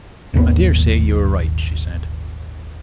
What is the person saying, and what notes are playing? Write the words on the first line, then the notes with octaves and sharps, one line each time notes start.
"I daresay you are right," she said.
D#1 G#1 D#2 B3